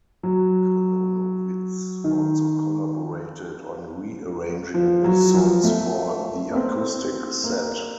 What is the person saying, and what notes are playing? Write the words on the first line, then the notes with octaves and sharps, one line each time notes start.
Kolonovits also collaborated on rearranging the songs for the acoustic set.
F#3
D#3
F3
F#3
F3
A3
A#3
C4
A#3